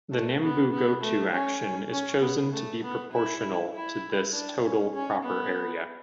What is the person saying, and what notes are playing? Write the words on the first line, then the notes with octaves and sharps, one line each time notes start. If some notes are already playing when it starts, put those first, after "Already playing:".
The Nambu-Goto action is chosen to be proportional to this total proper area.
A3
B3
B3
A3
C#4
C#4
B3
A3
B3
E4
E4
D4
C#4
C#4
B3